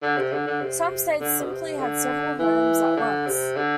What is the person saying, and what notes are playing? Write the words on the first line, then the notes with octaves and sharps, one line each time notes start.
Some states simply had several homes at once.
D3
C3
D3
D3
C3
D3
B2
C3
D3
E3
D3
C3
D3